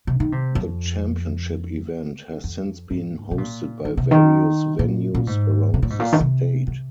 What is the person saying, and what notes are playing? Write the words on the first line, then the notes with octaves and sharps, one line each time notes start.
The championship event has since been hosted by various venues around the state.
C3
D#3
C3
F2
F2
G#2
C3
A#2
D#3
C3
D#3
A#2
A#2
G#2
C3
A#2
G#2
A#2
D#3
C3
C3